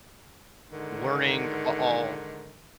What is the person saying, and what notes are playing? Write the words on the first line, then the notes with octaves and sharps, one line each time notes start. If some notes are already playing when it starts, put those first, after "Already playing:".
learning a all
G#2 D3 D#3